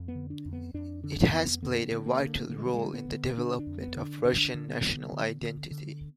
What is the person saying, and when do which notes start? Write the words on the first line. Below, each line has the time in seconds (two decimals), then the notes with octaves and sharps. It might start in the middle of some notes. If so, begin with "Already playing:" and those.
It has played a vital role in the development of Russian national identity.
Already playing: F2
0.08 B3
0.15 D3
0.30 D4
0.45 F2
0.53 B3
0.74 F2 D4
1.03 D3 D4
1.33 F2 B3
1.62 D3 B3
1.91 D3
2.06 A#3
2.20 D3
2.49 D3 A#3
2.58 G#3
2.65 F#3
2.74 D3 G#3
2.94 B3
3.08 D3
3.37 D3 D4
3.59 D4
3.67 F2
3.81 B3
3.96 D3
4.02 D4
4.25 D3 D4
4.54 D3
4.68 B3
4.83 D3
5.13 D3
5.42 D3
5.71 D3